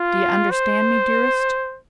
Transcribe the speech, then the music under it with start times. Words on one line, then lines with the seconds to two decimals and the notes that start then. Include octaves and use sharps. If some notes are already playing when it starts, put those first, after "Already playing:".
Do you understand me, dearest?
Already playing: F4
0.51 C5